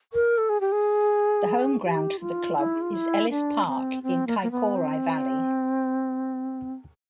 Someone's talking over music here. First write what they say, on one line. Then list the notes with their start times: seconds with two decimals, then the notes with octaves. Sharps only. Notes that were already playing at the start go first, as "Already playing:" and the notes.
The home ground for the club is Ellis Park in Kaikorai Valley.
0.14 A#4
0.38 A4
0.49 G#4
0.61 G4
0.72 G#4
1.83 G4
2.20 F4
2.57 E4
2.82 F4
2.93 E4
3.30 D4
3.66 C4
4.03 C4
4.27 A#3
4.43 A#3
4.52 B3
4.76 C4